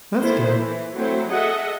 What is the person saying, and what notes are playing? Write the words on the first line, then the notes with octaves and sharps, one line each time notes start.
That's good,
D#3 A#3 E4 A4 C5
E3
F#3 A3 C4 E4 C5
G#4 A4 D#5 E5 F#5